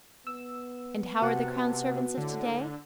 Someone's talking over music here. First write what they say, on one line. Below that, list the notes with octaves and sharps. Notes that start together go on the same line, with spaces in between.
And how are the crown servants of to-day?
B3 E6
C3 F#4 F#5 A5
A2 D3